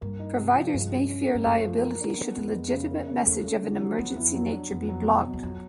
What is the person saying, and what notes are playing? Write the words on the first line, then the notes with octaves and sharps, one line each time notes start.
Providers may fear liability should a legitimate message of an emergency nature be blocked.
G2 A#3
D#4
C3
F3
G2 G#3
C#4
C#4
A#3
G2
F#2 A3
F3
A#3
D4
B3
F2 B3
G#3
C#3
A#3
C#3
E2 A3
A3
D3
F#3
F2 B3
E4
F#3
D4
F2 B3
F#3
B2
B2
E2
F2 F#3